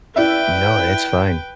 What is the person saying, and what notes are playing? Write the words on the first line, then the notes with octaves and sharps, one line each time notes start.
No, it's fine.
E4 B4 D5 E5 G5